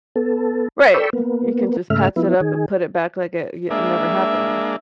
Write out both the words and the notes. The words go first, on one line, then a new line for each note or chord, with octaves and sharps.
Right. You can just patch it up and put it back like it y it never happened
B3 A4
A4 D5 G5 B5 C#6 E6
A#3 B3
G#2 C#3 A3 E5 F6
F3 B3 E4
D#3 G#4
G#3 A#3 D4 E5